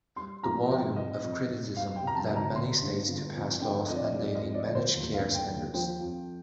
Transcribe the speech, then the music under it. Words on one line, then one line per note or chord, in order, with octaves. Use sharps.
The volume of criticism led many states to pass laws mandating managed-care standards.
G3 C6
F2 A#5
F1 G5
F1 D#5
F2
F1
G3 F5
G5
C3 A#5
A5
D2
A#5
G1 C6
G2
G1
F2
D3 G5
F2 D#5
D5
D#5
G3 D5
D#5
F2
D5
G1
C5
D#2
F5
D3
G5
D#2
F3 G5
F2